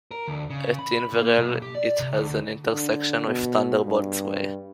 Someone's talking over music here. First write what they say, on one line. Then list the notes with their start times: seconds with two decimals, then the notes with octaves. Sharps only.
At Inverell it has an intersection with Thunderbolts Way.
0.11 A#4
0.28 D2
0.50 C#3
0.79 B5
1.14 A#3
1.38 B1
1.62 G4
1.75 D5
1.99 C3
2.13 D2
2.72 D3
3.27 B2
3.86 G2